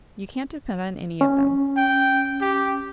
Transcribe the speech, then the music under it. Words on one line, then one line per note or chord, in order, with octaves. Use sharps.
You can't depend on any of them.
C#4
G5
G4